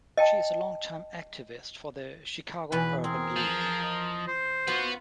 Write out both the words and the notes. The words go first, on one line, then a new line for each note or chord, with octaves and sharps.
She is a long-time activist for the Chicago Urban League.
D#5 G5 A5
E2 B2 E3 B4
C4 G#4 A#4
F3
D#5
C5
B3 F4 F#4 B4 F#5